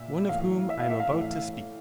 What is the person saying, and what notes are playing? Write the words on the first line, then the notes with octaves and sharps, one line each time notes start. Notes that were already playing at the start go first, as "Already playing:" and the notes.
One of whom I am about to speak.
Already playing: A#2 E5
A2 E3 F5
E5
F5
E5
F5
A2 E3